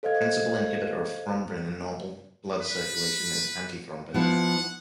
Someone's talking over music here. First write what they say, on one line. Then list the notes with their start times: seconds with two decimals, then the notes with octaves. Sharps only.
The principal inhibitor of thrombin in normal blood circulation is antithrombin.
0.03 A4 C5 D#5 F5 G#6
2.62 B4
4.14 F3 B3 E4 F#5